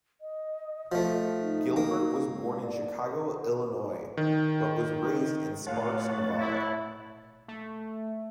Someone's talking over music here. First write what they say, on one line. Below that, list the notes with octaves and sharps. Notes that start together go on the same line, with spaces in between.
Gilbert was born in Chicago, Illinois, but was raised in Sparks, Nevada.
D#5
F3 A3
D#4
A#3
G#3
D5
D#3
A2 G#3 F4 C#5 F5 F#5 A5
E4
A3